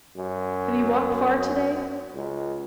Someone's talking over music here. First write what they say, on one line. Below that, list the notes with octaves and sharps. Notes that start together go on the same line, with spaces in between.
"Have you walked far to-day?"
F#2
C#2